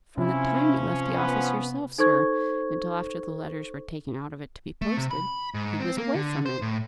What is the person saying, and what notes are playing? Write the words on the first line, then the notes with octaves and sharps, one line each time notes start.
"From the time you left the office yourself, sir, until after the letters were taken out of it to be posted, he was away from it."
C3 F3 C#4 E4
B3 B4
D#4 A4 C5 C#6 G#6
A3
C3
B5
G#2
C4
A#3
D3
C5
A2